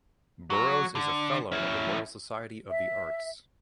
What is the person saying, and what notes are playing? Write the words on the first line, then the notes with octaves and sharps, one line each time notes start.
Burrows is a Fellow of the Royal Society of the Arts.
F#3
D3
C#4 E4
E5